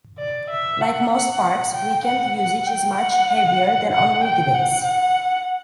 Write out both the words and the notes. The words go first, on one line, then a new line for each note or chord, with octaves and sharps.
Like most parks, weekend usage is much heavier than on weekdays.
D5
E5
F#5
F#5
G5
F#5
F#5
G5
F#5
F#5
G5
F#5
F#5